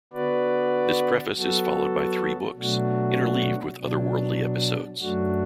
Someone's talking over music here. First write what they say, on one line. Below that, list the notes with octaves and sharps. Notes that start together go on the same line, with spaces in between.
This preface is followed by three books, interleaved with otherworldly episodes.
D3 B3 F#4 B4 D5
F#3 B3 F#4 A4
B2 F#3 A3 D4 F#4
B2 F#3 D4
F#2 F#3 A3 D4 F#4